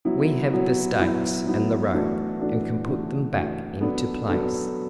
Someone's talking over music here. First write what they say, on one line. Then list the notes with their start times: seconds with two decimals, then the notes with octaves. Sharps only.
"We have the stakes and the rope and can put them back into place."
0.05 F#3 B3 E4
0.52 F#3 B3 E4
0.99 F#3 B3 E4
1.46 F#3 B3 E4
1.93 E3 A3 D4 F#4
2.41 E3 A3 D4 F#4
2.87 E3 A3 D4 F#4
3.33 E3 A3 D4 F#4
3.81 F#3 B3 D4 A4
4.28 F#3 B3 D4 A4